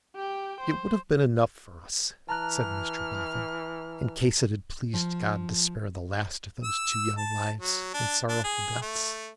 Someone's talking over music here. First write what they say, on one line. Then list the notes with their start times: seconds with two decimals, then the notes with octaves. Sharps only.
'It would have been enough for us,' said Mr Boffin, 'in case it had pleased God to spare the last of those two young lives and sorrowful deaths.
0.16 G4 G5
0.60 C5
2.29 E3 A5 A#5 F6 F#6
4.94 F3
6.64 E6
7.18 A5
7.61 F#3
7.94 D4
8.29 D4
8.44 G#4
8.82 A3